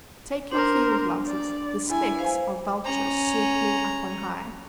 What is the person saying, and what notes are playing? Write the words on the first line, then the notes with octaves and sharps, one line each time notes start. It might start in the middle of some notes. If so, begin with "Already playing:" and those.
Take your field-glasses: the specks are vultures circling up on high!
D4 A#4 C5
D5
E4 G#5
B4 C5 F5
C#4 A#5